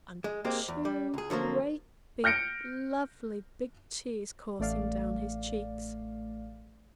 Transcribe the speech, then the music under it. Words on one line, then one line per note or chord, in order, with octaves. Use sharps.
And two great big lovely big tears coursing down his cheeks.
G#3
G#3 A#3 C4 G4
E2
G3
C#2 G#4
D3 F3 F#3 A#3
F6 G6 A#6 C#7 D7
A1 A3 D5 F5